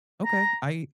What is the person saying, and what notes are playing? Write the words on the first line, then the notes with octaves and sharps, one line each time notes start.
okay. I
A#5